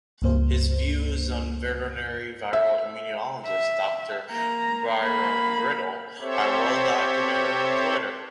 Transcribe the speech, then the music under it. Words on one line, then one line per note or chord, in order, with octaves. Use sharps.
His views on veterinary viral immunologist Doctor Byram Bridle are well documented on Twitter.
C#2 G2 A#3 C5
E5
E5
A#3 A#5
A#3 B5
C4 G4 A4 C5 C#5 E5